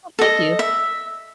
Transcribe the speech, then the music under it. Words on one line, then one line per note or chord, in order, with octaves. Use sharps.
Oh, thank you.
A4 D#5
E5